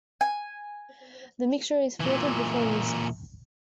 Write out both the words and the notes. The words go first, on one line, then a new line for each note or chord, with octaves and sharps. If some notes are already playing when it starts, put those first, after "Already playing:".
The mixture is filtered before use.
G#5
A#2 E3